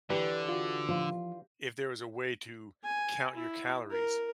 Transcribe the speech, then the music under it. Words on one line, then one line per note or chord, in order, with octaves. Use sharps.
w if there was a way to count your calories,
D3 E3 D4 G4 B4
F4 F#4
F3 F4
G#5
E4
A#4